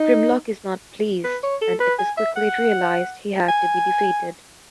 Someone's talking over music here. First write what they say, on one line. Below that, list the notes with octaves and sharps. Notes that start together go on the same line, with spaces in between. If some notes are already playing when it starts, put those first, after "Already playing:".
Grimlock is not pleased, and it was quickly realized he had to be defeated.
Already playing: D#4
B4
C#5
A4
B4
G#5
E5
F#5
G#5